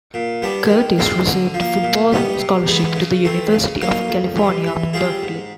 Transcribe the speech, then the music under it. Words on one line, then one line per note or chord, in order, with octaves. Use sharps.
Curtis received a football scholarship to the University of California, Berkeley.
A#2
G3 B3 D4
D#3
G#3 C4 F4
D3
F3
A#3
A#2
G3 B3 D#4
C3
E3 G#3 B3
C#3
E3 A3 C4
C#3
F#3 A#3 D#4
F2
C3 E3
E3
G3 C4 F4 G#4
G#2